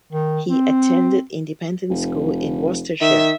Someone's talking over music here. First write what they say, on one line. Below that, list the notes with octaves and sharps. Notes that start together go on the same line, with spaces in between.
He attended independent school in Worcestershire.
D#3
C4
F1
D#3 E5